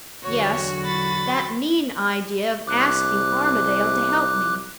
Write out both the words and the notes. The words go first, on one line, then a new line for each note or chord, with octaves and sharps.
Yes; that mean idea of asking Armadale to help me!
E2 D3 F#3 F#4 C#5
B5 A6
C2 D6 F#6